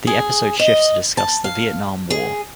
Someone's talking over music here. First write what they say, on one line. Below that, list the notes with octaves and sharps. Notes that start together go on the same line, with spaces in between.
The episode shifts to discuss the Vietnam War.
G#4
D#5
A5
F5
G#4